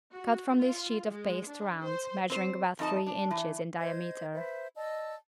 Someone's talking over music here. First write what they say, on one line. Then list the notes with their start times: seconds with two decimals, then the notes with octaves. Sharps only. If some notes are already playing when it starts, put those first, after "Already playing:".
Cut from this sheet of paste rounds measuring about three inches in diameter.
0.11 F#4
0.58 F4
1.08 G#3
1.48 D4
1.81 C5
2.30 C4 C5
2.79 F2 D#4 D#5 A5
3.06 D4
3.31 E3
3.78 C5 D#5 G#6
4.33 B4 C5 E5
4.76 D5 D#5 A5 E6